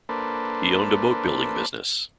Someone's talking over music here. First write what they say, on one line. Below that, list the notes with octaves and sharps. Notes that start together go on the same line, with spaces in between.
He owned a boat building business.
A#3 D4 A4 B4 C5